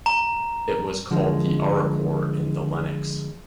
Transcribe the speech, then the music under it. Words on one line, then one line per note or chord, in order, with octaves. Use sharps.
It was called the "arachor" in the Lennox.
A#5
D3 F3 G#3